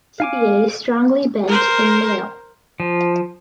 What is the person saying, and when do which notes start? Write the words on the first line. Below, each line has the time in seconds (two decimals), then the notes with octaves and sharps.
Tibiae strongly bent in male.
0.20 F5 G#5 D6
1.47 A#4 C5
2.80 F3